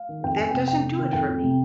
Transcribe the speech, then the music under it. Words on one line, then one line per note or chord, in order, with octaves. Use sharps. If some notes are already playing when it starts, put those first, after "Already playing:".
that doesn't do it for me.
Already playing: F5
D#3
F2 G5
F2 G#5
C3 G5
F2 G5
C3
D#3
F2 G5
F2
C3